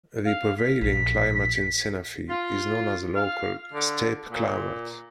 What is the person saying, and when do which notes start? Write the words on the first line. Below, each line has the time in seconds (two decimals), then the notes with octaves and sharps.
The prevailing climate in Senafe is known as a local steppe climate.
0.25 F5
0.58 B6
0.81 A#1 B6
2.29 F4
3.15 F5
3.73 D3
4.31 A#2